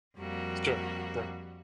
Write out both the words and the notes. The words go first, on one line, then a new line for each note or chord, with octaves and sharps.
It's true, sure.
F2 G3 A#3 F#4